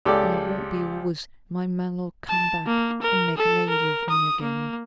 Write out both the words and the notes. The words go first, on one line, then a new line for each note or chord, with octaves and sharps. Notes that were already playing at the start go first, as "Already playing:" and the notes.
And I won't be always; my man'll come back and make a lady of me again.
C#2 G4 A4 D5
A5
A#3
A#4
A4
A#4
D#6
A#3